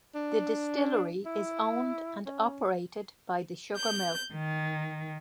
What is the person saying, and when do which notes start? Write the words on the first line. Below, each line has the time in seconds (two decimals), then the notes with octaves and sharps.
The distillery is owned and operated by the sugar mill.
0.15 D4
1.26 E4
2.26 C#4
3.78 G6
4.33 D#3